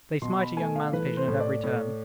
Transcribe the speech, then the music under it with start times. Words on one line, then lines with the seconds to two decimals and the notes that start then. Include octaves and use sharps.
They smite a young man's vision at every turn.
0.22 B2 C6
0.39 B5
0.57 A3 G#5
0.76 F5
0.92 E3 B4
1.17 C5
1.28 A2
1.40 D5
1.64 A2